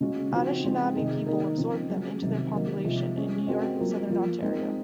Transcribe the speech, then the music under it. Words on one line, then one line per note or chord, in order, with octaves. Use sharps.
Anishinaabe people absorbed them into their population in New York and southern Ontario.
C#3 G#3 C#4 F#4
C#3 F3 C4 D#4 F#4
F3 G#3 C4 D#4 G#4
C3 D#3 G#3 D#4 G#4
D#3 A#3 D#4 A#4
C#3 F3 C4
F#3 C#4 G#4
C3 D#3 F#3 C4
D#3 F#3 A#3
C3 F3 G#3
G#3 C#4 G#4
G#3 C4 F#4 A#4
F#3 A#3 F4 A#4
F3 A#3 F4
G#3 C4 D#4 A#4